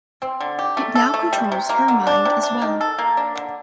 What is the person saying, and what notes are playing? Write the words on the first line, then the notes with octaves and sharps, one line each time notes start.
It now controls her mind as well.
C4
D3
G4
A3
A4
A3
G3
C3
A#3
D3
D4
C3
D4
D#3
A4
A#3
D4
D3